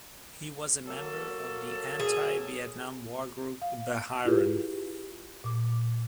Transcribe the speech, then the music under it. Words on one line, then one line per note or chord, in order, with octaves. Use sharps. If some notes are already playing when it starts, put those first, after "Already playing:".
He was a member of the anti-Vietnam War group Beheiren.
F#3 A#3 A4
G#4
F5
E4 F4 G4 G#4 B4
A#2 D6